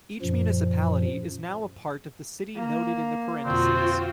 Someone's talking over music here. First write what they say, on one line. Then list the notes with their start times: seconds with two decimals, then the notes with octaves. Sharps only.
Each municipality is now a part of the city noted in the parentheses.
0.22 F#2 A#2 F3
2.56 A#3
3.46 F2 B2 D3 C4 F4 F#4 C5